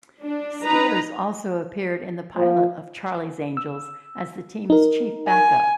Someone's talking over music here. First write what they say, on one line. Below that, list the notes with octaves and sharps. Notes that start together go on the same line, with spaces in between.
Stiers also appeared in the pilot of "Charlie's Angels" as the team's chief back-up.
D4
D#4 B4 A#5
F3
E6
D#4 A#4
G#5